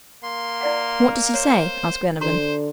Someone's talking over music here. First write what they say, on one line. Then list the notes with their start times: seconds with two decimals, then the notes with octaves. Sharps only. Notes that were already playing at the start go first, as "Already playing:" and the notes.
"What does he say?" asked Glenarvan.
0.24 A#3 C6
0.61 E4 D5 F#5
1.34 C5 C#5
2.21 D3 F#4 C5 A#5 C6